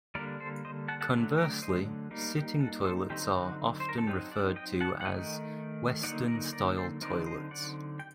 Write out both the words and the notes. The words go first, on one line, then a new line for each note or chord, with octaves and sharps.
Conversely, sitting toilets are often referred to as "western-style toilets".
D3 G3 A#3 D4 A#4 D5
A4 C5
C5 D#5
F#5 A5
F#5 A5
D3 F#3 A3 D4
G5 A#5
C5 D#5
G3 A#3 D#4
G4
F#4 A4
A4 C5
D3 F#3 C4 D#4 G4
F#4
C5
A#4
A4
F#3 C4 D#4 G4
D5 F#5
D#5 G5
F#5 A5
F#5
D#3 A3 D#4 D#5 G5
D3 F#3 A#3 D#4 D5 F#5
A#4 D5
A#4 D5
A4 C5
D3 F#3 C4 D#4 A#4 D5
C5 D#5
D5 F#5
G5